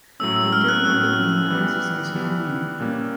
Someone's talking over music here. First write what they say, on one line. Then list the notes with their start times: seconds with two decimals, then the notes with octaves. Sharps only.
The interval between rounds is also one minute.
0.20 A2 F#3 A3 C#4 E6
0.36 E6
0.53 F6
0.68 F#6
0.85 A2 F#3 A3 C#4 E6
1.51 E3 G3 B3
2.14 E3 G3 B3
2.80 A#2 G3 A#3 C#4